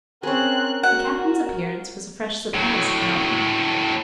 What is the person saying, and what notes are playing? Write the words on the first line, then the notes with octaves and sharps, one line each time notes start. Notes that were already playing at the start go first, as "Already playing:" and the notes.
The Captain's appearance was a fresh surprise to Alan.
C4 C#4 G#4 A#4 F#6
F#4 F#5
A2 F#3